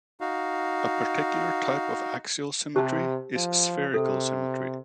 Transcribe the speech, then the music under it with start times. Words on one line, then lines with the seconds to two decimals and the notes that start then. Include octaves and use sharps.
A particular type of axial symmetry is spherical symmetry.
0.21 D#4 F#4 F5
2.76 C3 G4 C5 A5
3.35 F3
3.94 C3 A4